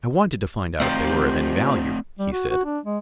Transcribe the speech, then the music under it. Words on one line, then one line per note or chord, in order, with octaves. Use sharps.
"I wanted to find out if they were of any value," he said.
D#3 F3 A3 C4 G4 D5
G3
F#4
F#4
D4
G#3